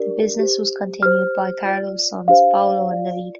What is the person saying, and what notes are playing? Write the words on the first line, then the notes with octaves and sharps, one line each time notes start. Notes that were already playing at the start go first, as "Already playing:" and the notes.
The business was continued by Carlo's sons Paolo and Davide.
Already playing: D4 G4 A#4 D5
G4 C5
G4 C5 F6
F4 D5
D4 G4 C5 F5
F4 D5